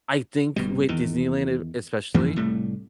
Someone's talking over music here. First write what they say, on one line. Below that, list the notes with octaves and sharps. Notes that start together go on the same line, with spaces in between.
I think with Disneyland, it especially,
G1 B2 G3
E2 D#3
F#2 E3 F3 A#3
C2 A2 G3 A3